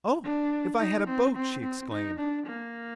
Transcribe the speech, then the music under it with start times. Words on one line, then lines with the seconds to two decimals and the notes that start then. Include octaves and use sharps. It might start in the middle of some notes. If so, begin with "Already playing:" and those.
"Oh, if I had a boat!" she exclaimed.
0.23 D4
0.79 D#4
1.07 C4
1.35 C4
1.63 C4
1.91 D#4
2.19 D4
2.47 A#3